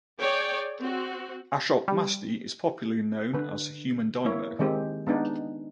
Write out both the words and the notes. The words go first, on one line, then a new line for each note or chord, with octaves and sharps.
Ashok Masti is popularly known as Human Dynamo.
G#4 C#5 D5 G5
C4 F#4
G3
D3 B4
A#3 E4 C#5
D#3 G#3 C4 G4
G#3 B3 D4 D#4